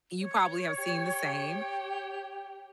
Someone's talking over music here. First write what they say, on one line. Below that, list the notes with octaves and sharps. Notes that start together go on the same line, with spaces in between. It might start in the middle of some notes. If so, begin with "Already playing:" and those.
you probably have seen the same.
C#5
G4